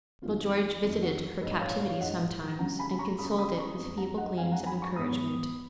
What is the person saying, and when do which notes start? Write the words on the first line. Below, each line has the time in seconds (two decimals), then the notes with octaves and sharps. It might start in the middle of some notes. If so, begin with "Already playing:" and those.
Little George visited her captivity sometimes and consoled it with feeble gleams of encouragement.
0.22 F2 D#3 F#3 F4
0.82 F2 D#3 F#3 D#4
1.01 F#4 A#4
1.41 A#1 G#2 F3 B4 D#5
1.61 C#5 F5
1.80 C#5 F5
2.00 A#1 G#2 F3 D#5 F#5
2.59 C#2 C#3 F#3 C#4 F#5 A#5
2.79 G#5 B5
2.99 A#5 C#6
3.18 C#2 C#3 F#3 C#4 B5 D#6
3.38 B5 D#6
3.58 A#5 C#6
3.78 F2 F3 G#3
3.97 F#5 A#5
4.17 D#5 F#5
4.37 F2 F3 G#3 F5 G#5
4.52 F#5 A#5
4.66 G#5 B5
4.82 A#5 C#6
4.96 G#2 F#3 B3 B5 D#6